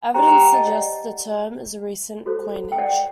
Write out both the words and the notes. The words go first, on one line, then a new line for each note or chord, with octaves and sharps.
Evidence suggests the term is a recent coinage.
D#4 G4 C5 G5 A#5
G5 A#5
F#5 A5
D#5 G5
D5 F#5
F#4 A4 C5
G5
D5 F#5